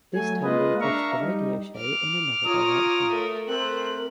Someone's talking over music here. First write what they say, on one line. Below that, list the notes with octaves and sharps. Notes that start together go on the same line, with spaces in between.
This tandem pushed the radio show in another direction.
F#3 A3 G#5
G#3 A#3 F4 B4 D#5
D4 A#4 E5 F5 A#5 C#6
G3 D#4
D6 F6
F4 C#5 A#5 D#6
A3 A#4
A3 C4 A#4 F#6